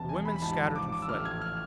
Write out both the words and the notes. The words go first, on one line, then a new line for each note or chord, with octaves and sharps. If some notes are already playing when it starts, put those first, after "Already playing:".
The women scattered and fled.
Already playing: E1 E2 C3 A5
G#5
B5
B5
A1 G#2 F3 A5
D6
D6
E6
A1 A2 F3 A3 D4 F6
G#6
F6